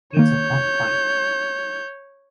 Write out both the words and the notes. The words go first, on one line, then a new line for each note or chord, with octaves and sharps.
It's a tough fight.
D#3 A#3 C#5 G6